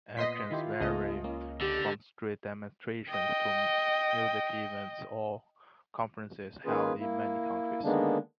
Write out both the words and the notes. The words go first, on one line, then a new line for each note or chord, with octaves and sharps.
Actions vary from street demonstrations to music events or conferences held in many countries.
A#2 B3 D#5 C6 B6
D#3 E4 F4 G4
C#2 A3 B3 G#4 D#5
A#3 C#4
D3 G4
D#5 G5
D#3 A#3 C#4 F4 G#4 B4
A#3 E4
D3 D#3 G#3 A#3 B3 D4